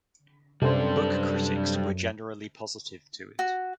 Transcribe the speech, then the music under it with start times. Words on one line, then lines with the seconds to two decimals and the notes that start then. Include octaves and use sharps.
Book critics were generally positive to it.
0.62 F#2 C3 G3 D4 A4 C5
3.39 F#4